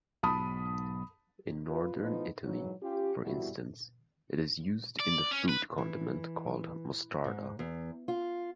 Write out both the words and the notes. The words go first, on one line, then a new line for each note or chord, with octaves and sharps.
In northern Italy, for instance, it is used in the fruit condiment called "mostarda".
B1 G#2 A5 B5 D#6
F4 B4
A2 F3 B3 D#4 F4
G#2 E3 F#3
C#4 F4 G4
F2 B2 G3 E4 F#4
D5
C#4
B4
E3
G#2
E2
F4